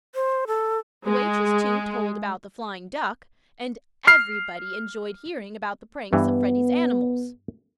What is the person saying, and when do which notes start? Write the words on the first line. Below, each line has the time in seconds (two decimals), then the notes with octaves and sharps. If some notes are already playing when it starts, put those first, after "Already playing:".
The waitress, too, told about the flying duck, and everybody enjoyed hearing about the pranks of Freddie's animals.
0.15 C5
0.47 A4
1.07 G#3
4.07 F6 C7
6.13 G2 E3 B3